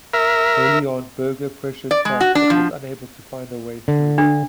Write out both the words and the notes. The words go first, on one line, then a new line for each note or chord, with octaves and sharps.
Early on, Berger pressured Prost but was unable find a way through.
A#4 E5
D5
G#3
F#4
D4
F3
D3
D4